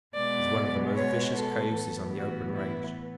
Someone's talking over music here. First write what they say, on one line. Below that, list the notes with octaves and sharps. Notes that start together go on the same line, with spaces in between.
He's one of the most vicious cayuses on the open range.
B2 G#3 B3 D5
C#5
A4
A2 E3 B3
F#4
E4